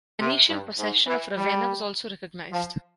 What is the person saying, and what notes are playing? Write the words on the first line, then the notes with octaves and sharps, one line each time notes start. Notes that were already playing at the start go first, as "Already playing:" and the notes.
Venetian possession of Ravenna was also recognized.
C3
G2
G#2
E3
G3
F3